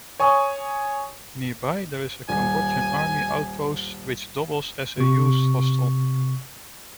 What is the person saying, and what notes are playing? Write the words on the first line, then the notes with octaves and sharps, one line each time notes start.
Nearby there is a Cambodian army outpost which doubles as a youth hostel.
C#5 G#5 C#6 D#6
D#1 G#5
C3 C#6